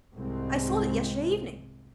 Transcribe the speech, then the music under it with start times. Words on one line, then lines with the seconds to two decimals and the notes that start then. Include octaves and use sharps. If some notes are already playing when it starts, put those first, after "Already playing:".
I sold it yesterday evening.'
0.15 C2 G#2 G#3 C4